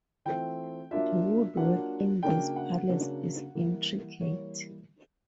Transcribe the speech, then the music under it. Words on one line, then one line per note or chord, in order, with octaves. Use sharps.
The woodwork in this palace is intricate.
E3 A3 C4 F4 G5
F#3 A#3 D4 F4 E5
F#3 A#3 D4 F4 F#5
C#3 F#3 A#3 D4 G5
F#5
C#3 F#3 A#3 D4
E3 G3 A#3
E3 G3 A#3 C#5